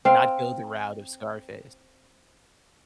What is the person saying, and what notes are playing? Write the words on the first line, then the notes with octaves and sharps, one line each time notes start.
Not go the route of Scarface.
C4 F5